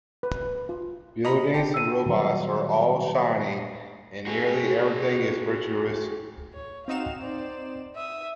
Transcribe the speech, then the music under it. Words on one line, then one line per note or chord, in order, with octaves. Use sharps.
Buildings and robots are all shiny and nearly everything is futuristic.
B4
F4
D#5 A#5 B5
G4 A5
E6 D#7
A#2 D#3 F#3 G3
F#4 G#4
C#5
C4 D#4 F#4 F5 E7
C5 D5
E5 D#6